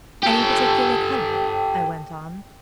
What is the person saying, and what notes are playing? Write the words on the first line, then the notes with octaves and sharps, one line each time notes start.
"Any particular color?" I went on.
G4 A4